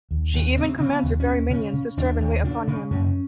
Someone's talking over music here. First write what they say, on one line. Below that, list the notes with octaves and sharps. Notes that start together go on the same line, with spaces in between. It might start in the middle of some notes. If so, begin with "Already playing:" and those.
She even commands her fairy minions to serve and wait upon him.
D#2
D#2
C#3 C4
C#3 C4
B3
D#2
C#4
D#2
C#3 C#4
C#3
D#2 D4
D#2
C#3 D4
C#3
F#2 C#4